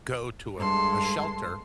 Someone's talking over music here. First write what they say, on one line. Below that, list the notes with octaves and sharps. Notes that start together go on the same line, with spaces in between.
go to a a shelter.
G2 G#3 A4 C6